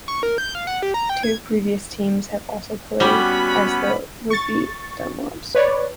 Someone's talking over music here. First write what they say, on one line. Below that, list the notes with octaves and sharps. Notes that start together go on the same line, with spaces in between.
Two previous teams have also played as the Whitby Dunlops.
C#6
A#4
G6
F5
F#5
G4
A#5
G5
G#6
G3 B3 C#4 F#4 B5
C#6 A6
B4 C#5 D5